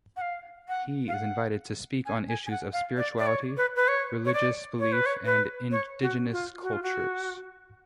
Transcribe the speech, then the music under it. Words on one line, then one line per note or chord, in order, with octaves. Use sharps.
He is invited to speak on issues of spirituality, religious belief and indigenous cultures.
F#5
F5
F#5
F5
F#5
G#5
G#5
G#5
F#5
F5
D5
D5
C#5
B4
B4
C#5
C#5
D5
C#5
B4
C#5
B4
C#5
F#4
F4
F#4
F4
F#4